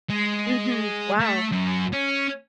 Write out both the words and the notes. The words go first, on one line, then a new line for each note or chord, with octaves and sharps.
Mhm. Wow.
G#3
A3
F#2
C#4